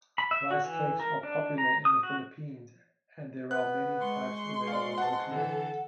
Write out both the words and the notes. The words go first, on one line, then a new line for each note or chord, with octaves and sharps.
Rice cakes are popular in the Philippines, and there are many types available locally.
B5
E5
F#4
E3
A#4
D4
A#5
D#6
F#4
B3 F#6
G#3 C6 C#6
G#2 D5 F5
F#5 A5
D3 E3 A4 F#5